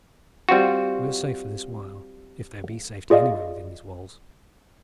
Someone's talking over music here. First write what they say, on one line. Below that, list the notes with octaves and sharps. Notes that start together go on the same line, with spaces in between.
We are safe for this while, if there be safety anywhere within these walls.
G3 C4 F4 F#4
F4 G#4 D5 D#5 F5